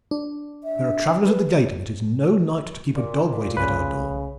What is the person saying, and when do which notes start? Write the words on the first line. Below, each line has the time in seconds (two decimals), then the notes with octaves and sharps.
There are travelers at the gate, and it is no night to keep a dog waiting at our door.
0.11 D4
0.64 E5
1.25 B4
2.95 A#2
3.57 C2 C#3 A3 B4